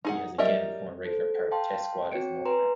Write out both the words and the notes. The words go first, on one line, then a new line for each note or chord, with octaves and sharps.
He has again become a regular part of Test squad as an opener.
D#4 G#4 F#5
F#3 G3 A#4 D#5 E5
A4 C5
F5 G5 A5 C6
C4 F#4 C#5 G5 C#7 D7
B4 G#5 A#5 C6